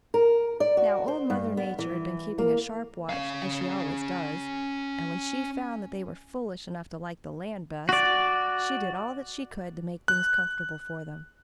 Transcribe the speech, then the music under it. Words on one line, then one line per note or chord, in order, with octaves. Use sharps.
Now Old Mother Nature had been keeping a sharp watch, as she always does, and when she found that they were foolish enough to like the land best, she did all that she could to make things comfortable for them.
A#4
D5
F#4
C5
G2
B3
E3
A#3
C#4 F5
F#4 D5
F#6